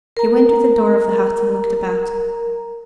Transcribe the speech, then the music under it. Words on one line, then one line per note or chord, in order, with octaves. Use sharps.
She went to the door of the hut and looked about.
A#4 A#5